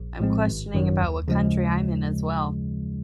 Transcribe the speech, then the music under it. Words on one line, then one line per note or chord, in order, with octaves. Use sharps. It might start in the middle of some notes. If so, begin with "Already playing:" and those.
I'm questioning about what country I'm in as well.
Already playing: A#1
A2 F3 G#3 C4
G#1
F#2 D#3 F#3
D#2
C#3 F3 G#3